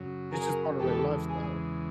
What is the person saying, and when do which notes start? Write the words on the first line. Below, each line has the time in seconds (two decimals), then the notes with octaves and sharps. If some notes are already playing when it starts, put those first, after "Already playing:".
It's just part of their lifestyle.
Already playing: F#2 C#3 F#3
0.32 G#4 A#4
0.79 E2 C#3 E3 G#3 G4 A4
1.28 G#4